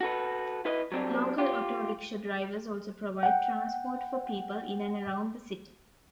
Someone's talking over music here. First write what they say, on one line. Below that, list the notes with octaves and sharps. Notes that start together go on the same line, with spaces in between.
Local Auto-Rickshaw drivers also provide transport for people in and around the city.
F#4 A4 B4
E4 B4 D#5
F#3 G3 C4 D4
F4 G4
F#5 G5